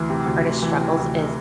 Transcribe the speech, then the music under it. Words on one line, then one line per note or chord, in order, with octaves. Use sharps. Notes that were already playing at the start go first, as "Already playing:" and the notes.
hardest struggles is
Already playing: D2 E3
C3
D2
D2
E3
C3
D2